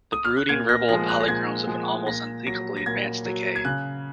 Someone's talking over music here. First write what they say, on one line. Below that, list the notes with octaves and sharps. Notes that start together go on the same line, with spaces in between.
The brooding verbal polychromes of an almost unthinkably advanced decay.
D#6
F6
F#6
A#2 G#6
A#6
F3 G#3 A#6
F#6
A#6
A#2 G#6
F3 G#3
A#2 A#6
F#3 A#6
A#6
A#2 G#6
F#3
G#6
C#3 F#6